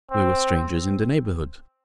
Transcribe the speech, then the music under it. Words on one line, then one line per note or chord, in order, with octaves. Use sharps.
We were strangers in the neighbourhood.
C4